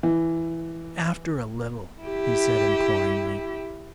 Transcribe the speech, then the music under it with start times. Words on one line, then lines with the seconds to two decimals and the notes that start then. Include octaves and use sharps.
"After a little," he said imploringly.
0.03 E3
2.01 E4 G4